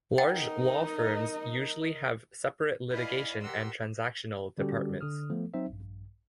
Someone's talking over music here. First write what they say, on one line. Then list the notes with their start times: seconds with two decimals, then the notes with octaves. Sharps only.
Large law firms usually have separate litigation and transactional departments.
0.18 D#4 A#4 D#5 F#5 G5 A6
2.90 E4 B4 D5 D#5 F5 G#5
3.41 G4 A#4 F#5 C6 E6
4.58 D3 G3 C#4 F#4 G4 A4
5.01 D3 D#6 F6
5.30 F3 A3 B3 A4
5.54 F#3 C4 D#4 C5 E5
5.70 A#1 G2